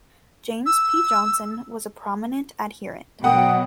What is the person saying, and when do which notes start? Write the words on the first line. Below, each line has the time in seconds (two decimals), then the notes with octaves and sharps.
James P. Johnson was a prominent adherent.
0.66 E6
3.24 B2 F#3 F#5 G5 D#6